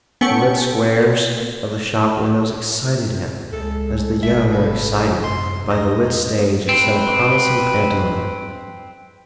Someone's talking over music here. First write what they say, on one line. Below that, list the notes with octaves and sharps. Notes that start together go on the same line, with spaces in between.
The lit squares of the shop windows excited him as the young are excited by the lit stage of some promising pantomime.
B3 C#4 A4 G5 C#6 C#7
C#2 G#3 A4
A4
G#1 E5
C3 B4
F#2 C6
E2 D#5 A#5
C4 B4